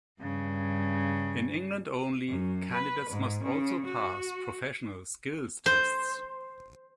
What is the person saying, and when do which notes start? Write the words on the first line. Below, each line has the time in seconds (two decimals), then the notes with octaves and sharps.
In England only, candidates must also pass professional skills tests.
0.20 G2 C#3
2.27 F#2
2.71 B4
3.09 G#2
3.41 C#3
3.84 F#4
5.66 C5